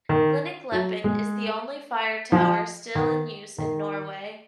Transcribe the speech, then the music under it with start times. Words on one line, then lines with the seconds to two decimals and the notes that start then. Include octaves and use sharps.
Linnekleppen is the only fire tower still in use in Norway.
0.09 D#3
0.72 F#3
1.04 G#3
2.32 F3
2.95 D#3
3.58 D#3